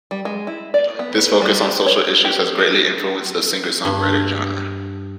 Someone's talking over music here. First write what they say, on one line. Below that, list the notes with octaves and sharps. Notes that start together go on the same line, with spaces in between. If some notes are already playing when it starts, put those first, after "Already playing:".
This focus on social issues has greatly influenced the singer-songwriter genre.
G3
G#3
E4
D5
B3
G3
C#5
G4
G2